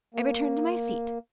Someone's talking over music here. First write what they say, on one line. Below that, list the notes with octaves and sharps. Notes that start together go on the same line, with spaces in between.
I returned to my seat.
A#3